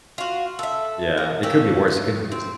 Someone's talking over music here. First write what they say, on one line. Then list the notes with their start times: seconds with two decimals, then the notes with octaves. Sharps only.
Yeah, it could be worse, it could be s
0.18 F4 F#4
0.59 A4 E5
1.17 A#4
1.43 A#3 C#4 G4 A4
1.88 A3
2.32 C4